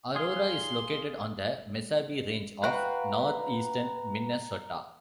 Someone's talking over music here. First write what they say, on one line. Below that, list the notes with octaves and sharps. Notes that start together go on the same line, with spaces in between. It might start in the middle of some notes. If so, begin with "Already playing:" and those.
Aurora is located on the Mesabi Range of northeastern Minnesota.
G#4 F5 C6
F#4 B4 F5 G5 A#5 F#6